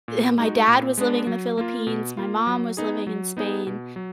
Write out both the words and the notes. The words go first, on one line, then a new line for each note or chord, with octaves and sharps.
and my dad was living in the Philippines, my mom was living in Spain,
A#2
G#3 D#4 F#4
A#2
G#3 B3 D4
F#3
A#3 F4
B2
A#3 F4
F#3
B3 D#4 G#4
F#3
B3 D#4 G#4
B2
F#3